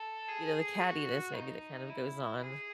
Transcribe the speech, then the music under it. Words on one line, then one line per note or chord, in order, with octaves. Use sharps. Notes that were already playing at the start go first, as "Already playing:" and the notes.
you know, the cattiness, maybe, that kind of goes on.
Already playing: A4
G#4
F#4
D#4
E4
G#4